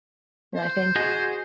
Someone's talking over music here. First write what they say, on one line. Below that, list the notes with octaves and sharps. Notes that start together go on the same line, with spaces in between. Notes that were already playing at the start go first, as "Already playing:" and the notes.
know, I think
C5
F#4 G#4 D#5